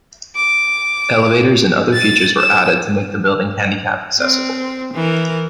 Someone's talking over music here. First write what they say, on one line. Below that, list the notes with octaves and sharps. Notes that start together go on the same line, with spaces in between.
Elevators and other features were added to make the building handicapped accessible.
D6
A6
E7
C4
E3 A#4